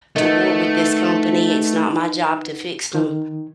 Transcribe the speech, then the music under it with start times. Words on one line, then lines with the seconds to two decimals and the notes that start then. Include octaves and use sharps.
to war with this company; it's not my job to fix them,
0.16 D#3 A3 B3
2.94 D#3